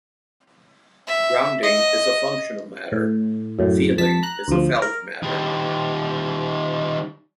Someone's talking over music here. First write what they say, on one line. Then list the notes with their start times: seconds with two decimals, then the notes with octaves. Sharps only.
Grounding is a functional matter; feeling is a felt matter.
1.07 E5
1.63 D#5
2.92 A2
3.59 F#2 A2
3.98 F2 A5 B6
4.23 A#5 F#6
4.48 D2 F3
4.82 A#4
5.23 D#3 G3